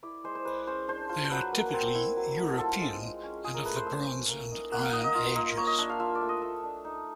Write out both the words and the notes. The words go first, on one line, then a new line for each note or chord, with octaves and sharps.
They are typically European and of the Bronze and Iron Ages.
E4 D5
G#3 C5
C5
G#3 B4
C#4 C5
D4 C5
F4 C5
C5
F#3 B4
A#3
C4
E4
F#3
A3
F4 A4
G#3
G#3
C#4
F4 G#4
A#4
A3 B4
C5
A3 E5
C#4
A#3
D#4
A#3 F#5
F5
D#4 D#5
D#5
F4
A#3 D#5
A#3 C#5
D#5
D4 E5
F5
F4 E5
D5
A3
D#5
A3 E5
D4
D#4